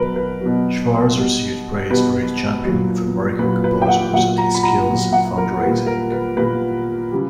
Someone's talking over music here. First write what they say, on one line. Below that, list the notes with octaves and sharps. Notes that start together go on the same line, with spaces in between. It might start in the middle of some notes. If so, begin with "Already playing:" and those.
Schwarz received praise for his championing of American composers and his skills in fund-raising.
Already playing: B2 F#3 A#4 B4
B4
B2 F#3
B2 G3
B2 G3 B4
A#2 F#3
A#2 F#3 B4
B4
G5
F#5
A#2 F#3 F#5
A#5
B5
A#5
A#2 F#3
F#5
A#4
A#2 G3 B4
A#4
B4
A#2 G3 B4
C#3 G3